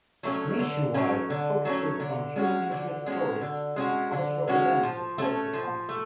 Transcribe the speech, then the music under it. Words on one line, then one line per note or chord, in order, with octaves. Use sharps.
"Nationwide" focuses on human interest stories and cultural events across the country.
F#3 A3 C#4
D3
F#3 A3 C#4
D3
F#3 A3 C#4
D3
G#3 C#4 F#4
D3
G#3 C#4 F#4
D3
G#3 C#4 F#4
D3
G#3 C#4 F#4
F3
A3 C#4
F3
A3